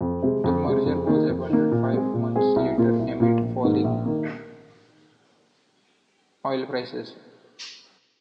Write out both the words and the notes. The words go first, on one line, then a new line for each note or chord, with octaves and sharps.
The merger was abandoned five months later amid falling oil prices.
F2
C3 G#3
F2
C3 G#3
F2
D#3 A#3
F2
D#3 A#3
A#2
G#3 C4 G#4
A#2
G#3 C4 G#4
C2
A#2 A#3 F4
C2
A#2 A#3 F4
A#1
G#2 D#3 A#3
A#1
D#3 A#3